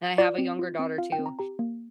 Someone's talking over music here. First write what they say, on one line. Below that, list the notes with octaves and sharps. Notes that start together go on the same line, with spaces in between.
and I have a younger daughter too.
F4 D5
C4
F4
C4
F4 F5
G5
C4
A#5
G4 A#5
A#3